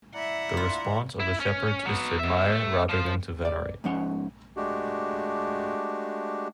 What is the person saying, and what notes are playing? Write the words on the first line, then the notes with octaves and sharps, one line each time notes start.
The response of the shepherds is to admire rather than to venerate.
E4 D5 E5 F#5 A#5
F4
E4
C#4
F#3 B3
B2 E5
A3
F3 C5
D5
G#2 F3 C#4 F#5
G#3 A3 D4 F#4 G4